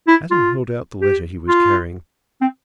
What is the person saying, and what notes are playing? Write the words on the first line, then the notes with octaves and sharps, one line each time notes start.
Adam held out the letter he was carrying.
E4
F4
G4
F4
C4